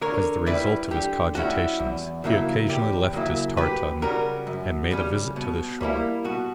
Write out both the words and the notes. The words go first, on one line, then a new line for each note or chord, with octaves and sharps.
As the result of his cogitations, he occasionally left his tartan and made a visit to the shore.
D3 A#4 C#5
G3 C#4 E4 B4 D5
D3 G4
G3 C#4 E4 F#4
E2
C#3 F#3 A#3 E4
E2 G4
C#3 F#3 A#3 E4
F#2 G4 B4
C#3 G3 C#4 F#4 A#4
F#2
C#3 G3 C#4
B2
G3 A#3 E4
B2 F#4